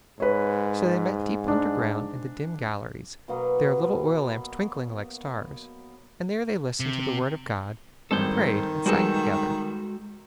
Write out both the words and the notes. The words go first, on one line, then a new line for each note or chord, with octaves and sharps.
So they met deep underground in the dim galleries, their little oil-lamps twinkling like stars, and there they listened to the Word of God, and prayed and sang together.
G#2 B4 C#5
D4
B2 F#3 A#3 B3
C3
G#1 G2 D#3 A4 C5
G3 G#3 B3 F#4 G#4 A4